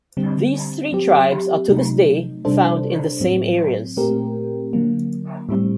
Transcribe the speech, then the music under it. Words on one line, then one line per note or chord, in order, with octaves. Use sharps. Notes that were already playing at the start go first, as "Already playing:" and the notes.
These three tribes are to this day found in the same areas.
D3 G3 C4
F#3 C4 G4
C3 F#3 A3 D#4
C3 G3 D4 A4 C5
A2 F#3 C4
A#2 A3 C4 G4 A#4
D3 F#3 A#3
A2 G3 C4